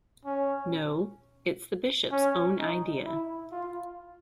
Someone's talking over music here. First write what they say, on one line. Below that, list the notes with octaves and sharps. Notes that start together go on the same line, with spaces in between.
No, it's the Bishop's own idea.
C#4
C#4
D#4
E4
F4